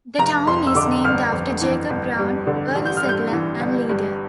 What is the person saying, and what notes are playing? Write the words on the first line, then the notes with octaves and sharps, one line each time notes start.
The town is named after Jacob Brown, early settler and leader.
F1 A#5
F2 C6
E6
D3 D6
G1 F6
F2
E3
G1
G2
D3
A1
G6
F6
G2
G6
E3
G1
G2